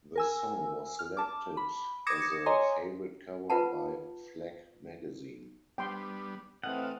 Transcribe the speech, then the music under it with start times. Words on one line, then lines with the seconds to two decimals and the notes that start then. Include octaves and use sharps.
The song was selected as a favourite cover by Flak Magazine.
0.16 A#4 G#5 E6
0.99 F6
1.17 A5 D6
1.57 B5
2.07 D6 D#6 G#6 A#6 C#7 E7
2.46 C#5 D#5 G#5 A#5 C6
3.50 F4 B4 F#5 A5
5.78 G3 B3 D4 G5 C6
6.64 E3 A3 C4 D#5 F5 F#5